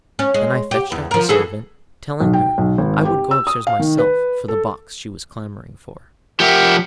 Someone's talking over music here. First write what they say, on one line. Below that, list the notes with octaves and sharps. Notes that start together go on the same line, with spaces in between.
Then I fetched out the servant, telling her I would go upstairs myself for the box she was clamouring for.
C#4
G#3
G4
E2
F3 A#4
E3 G#4 A4
B1
G5
B1
G#1
G4
E6
D#6
F5
D#3
B4
A4
F3 G4 A#4 E5 F#5